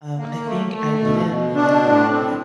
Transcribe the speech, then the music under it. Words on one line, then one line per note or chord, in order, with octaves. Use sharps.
Um, I think I didn't like it
A#3
A3
A3
B2
B2
D4
A2
C4